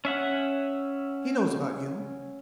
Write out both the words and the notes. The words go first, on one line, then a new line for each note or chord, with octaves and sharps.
He knows about you.
C#4 E5 F#5